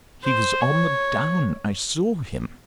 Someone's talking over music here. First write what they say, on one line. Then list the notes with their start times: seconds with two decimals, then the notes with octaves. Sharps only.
He was on the Down--I saw him!
0.25 C5
0.61 C#5